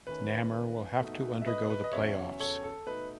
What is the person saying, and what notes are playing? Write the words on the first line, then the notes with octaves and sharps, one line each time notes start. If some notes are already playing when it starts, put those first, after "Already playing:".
Namur will have to undergo the playoffs.
D#3 A3 C#4 B4
B2 A3 D#4
E5
B4 D#5
B4 D#5
D#5
E2 C#3 F#3 C#4 C#5 E5
A4 C#5
A4
B2 A3 D#4 B4